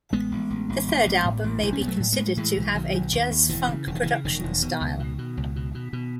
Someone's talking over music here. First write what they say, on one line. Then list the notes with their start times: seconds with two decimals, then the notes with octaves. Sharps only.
The third album may be considered to have a jazz-funk production style.
0.13 A1 G#3 B3
0.32 A1
0.50 A1
0.69 A1
0.88 A1
1.06 A1
1.25 A2
1.44 A1
1.63 B1 E3
1.73 C#4
1.81 B1 B3
1.88 F#3 A3
2.00 A2
2.13 G#3 B3
2.18 A2
2.27 F#3
2.37 A2 E3 G#3
2.57 B1
2.75 B1 D#3 F#3
2.94 B1
3.13 D#2 D#3
3.31 D#2
3.49 E1 E3
3.68 C#3
3.87 E1 E3
3.95 D#3
4.03 C#3 E3
4.24 E1 D#3
4.44 E1
4.62 B2
4.81 C#2
5.00 B2
5.18 B2
5.37 C#2
5.56 B2
5.75 B2
5.93 B2